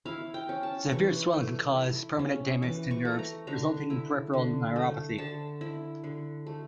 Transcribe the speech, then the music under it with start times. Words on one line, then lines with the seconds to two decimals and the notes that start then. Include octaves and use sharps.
Severe swelling can cause permanent damage to nerves, resulting in peripheral neuropathy.
0.05 E4 F5
0.34 G5
0.49 C#4
0.63 A5
0.91 E3 C#6
1.33 A3
1.77 E4
2.19 C#4
2.62 E3 D6
2.91 C#6
3.05 A3
3.19 A#5
3.47 D3 A#5
3.90 E4
4.33 D3
4.76 A3
5.18 D3 A5
5.61 E4
6.04 D3
6.47 A3